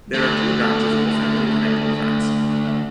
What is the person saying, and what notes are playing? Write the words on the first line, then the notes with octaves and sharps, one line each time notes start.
There are two branches of the family connected to France.
D3 A3